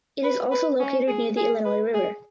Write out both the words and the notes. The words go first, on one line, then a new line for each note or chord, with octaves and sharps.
It is also located near the Illinois River.
B4
B4
C#4
G#4
G#4
B4
G#4